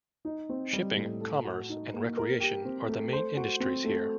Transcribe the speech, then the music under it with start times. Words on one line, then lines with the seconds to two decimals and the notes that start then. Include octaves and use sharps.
Shipping, commerce, and recreation are the main industries here.
0.25 D#4
0.49 C4
0.73 G3
0.96 A2
1.21 A4
1.44 F#4
1.69 D#4
1.93 A#3
2.17 A#4
2.40 G4
2.65 C4
2.88 A3
3.13 C5
3.37 F#4
3.60 C4
3.84 A3